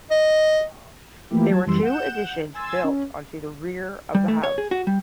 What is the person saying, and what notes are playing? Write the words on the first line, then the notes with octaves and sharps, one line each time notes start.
There were two additions built onto the rear of the house.
D#5
E3 F3 A3 A#3 E4 G4
F#3 A5 G#6
F#2 E3 G3 C6 E6
F#5 G6 E7
G#5 C6 E6 G#6 A6
C#4
G3
A3
C#5
G#4
F#4
G3